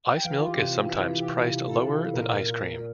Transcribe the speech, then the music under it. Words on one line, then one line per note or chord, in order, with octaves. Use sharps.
Ice milk is sometimes priced lower than ice cream.
G5
E3 F5
F4
G4
C3
E3 E4
F4
E3 G4
C3
A4
C3
A#2 A#4
A#2
A#2